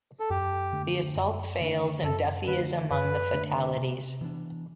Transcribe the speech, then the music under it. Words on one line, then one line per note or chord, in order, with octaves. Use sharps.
The assault fails and Duffy is among the fatalities.
A4
F#2 G4
D3 A3 D4
F#2
D3 A3 D4
F#2 A4
D3 A3 D4 B4
F#2 B4
D3 A3 D4
C3
E3 B3 D4